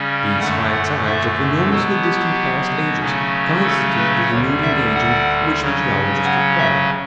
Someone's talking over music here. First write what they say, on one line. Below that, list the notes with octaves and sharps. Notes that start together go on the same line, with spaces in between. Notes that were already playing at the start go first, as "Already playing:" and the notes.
These high tides of enormously distant past ages constitute the denuding agent which the geologist required.
Already playing: C#3 G3 C#4
F#2 D3 A3 F#5
F#5
E5
B2 F#3 B3 A4
G4
C#3 F#3 A3 C#4
A4
B4
D2 D3 G3 C#5
E5
F#5
C#3 F#3 C#4
F#5
E5